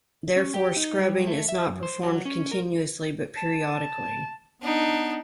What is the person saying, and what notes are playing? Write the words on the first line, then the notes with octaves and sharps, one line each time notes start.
Therefore, scrubbing is not performed continuously but periodically.
C#4
G4
D#4
G3
A3
E5
F#2
C5
F#3
C#4
A#4
A5
B3 D4 D#4